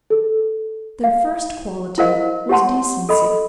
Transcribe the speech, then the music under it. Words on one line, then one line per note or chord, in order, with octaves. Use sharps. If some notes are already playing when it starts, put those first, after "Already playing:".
Their first quality was decency.
A4
F5
E4 G#4 A#4 C5 D#5 F5
G4 C#5 F#5 A5 C6
A4 D#5 B5